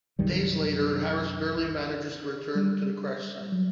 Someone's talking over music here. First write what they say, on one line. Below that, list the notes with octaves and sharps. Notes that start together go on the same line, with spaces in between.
Days later, Harris barely manages to return to the crash site.
C2 F#2 D#3 G3
G3
F#3